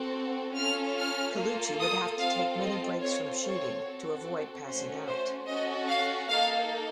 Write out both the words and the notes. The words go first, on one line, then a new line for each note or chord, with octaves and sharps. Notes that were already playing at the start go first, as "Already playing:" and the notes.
Colucci would have to take many breaks from shooting to avoid passing out.
Already playing: C4 F#4 A4
C#4 F4 A4 F6
F6
A#3 F4 A4
D#6
C4 F4 A4 F5
D#5
C4 F4 A4 C#5
C#5
C4 F#4 A4
A3 C#4 F#4 C5
C5
C#4 F#4 A4 D#5
F5
A#3 D#4 A4 F5